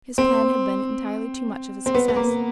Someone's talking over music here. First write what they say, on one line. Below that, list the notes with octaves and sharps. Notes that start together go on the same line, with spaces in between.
His plan had been entirely too much of a success.
C4
C4
B3
B3
A#3